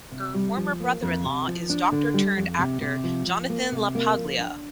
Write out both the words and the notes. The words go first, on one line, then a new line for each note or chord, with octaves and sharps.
Her former brother in-law is doctor-turned-actor Jonathan LaPaglia.
C3
G3
F3
A#3
F2
C3
F3
D4
D3
G3
F2
C3
C3
F3
F3
A#3
C3
A#3
F3
D4